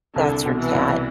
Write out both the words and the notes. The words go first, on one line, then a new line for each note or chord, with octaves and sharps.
That's your cat."
C2 D3
B2
E3
C2